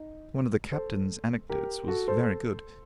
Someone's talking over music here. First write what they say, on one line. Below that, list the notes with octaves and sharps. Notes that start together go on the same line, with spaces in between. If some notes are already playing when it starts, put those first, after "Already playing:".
One of the Captain's anecdotes was very good.
Already playing: D#4
A4 C5
G4 A#4
F#4 A4
A4 C5